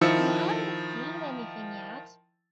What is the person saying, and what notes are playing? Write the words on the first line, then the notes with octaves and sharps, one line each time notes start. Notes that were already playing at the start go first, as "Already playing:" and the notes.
You haven't seen anything yet.
D#3 F3 E4 E6 C#7